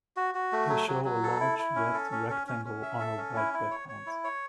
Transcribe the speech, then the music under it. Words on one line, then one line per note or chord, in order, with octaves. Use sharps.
They show a large red rectangle on a white background.
F#4
F#4
A3
F#3
F#3
F#3
A4
E4
E4
C#4
A4
C#4
C#4
C#4
C#4
E5
A4
C#4
E4
E4
C#5
C#5
E4
C#5